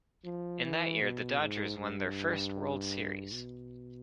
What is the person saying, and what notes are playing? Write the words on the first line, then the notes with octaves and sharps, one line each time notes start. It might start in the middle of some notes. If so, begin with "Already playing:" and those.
In that year, the Dodgers won their first World Series.
F3
E3
B2
G#2
G2
B2